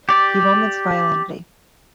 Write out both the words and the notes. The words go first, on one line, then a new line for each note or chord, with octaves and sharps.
He vomits violently.
G4 D5